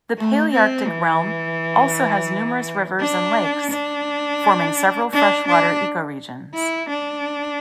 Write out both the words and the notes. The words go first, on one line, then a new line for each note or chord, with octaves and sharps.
The Palaearctic realm also has numerous rivers and lakes, forming several freshwater ecoregions.
A3
C4
E3
D4
D4
D4
D4
E4
D4